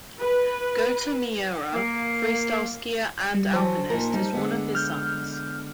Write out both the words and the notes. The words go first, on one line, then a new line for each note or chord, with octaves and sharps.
Gota Miura, freestyle skier and alpinist, is one of his sons.
B4
A#3
G3
E3 F#3 C5 A5
A#2 D#4 A#4
G3 D#4
D3 G#3 B3
F6 G6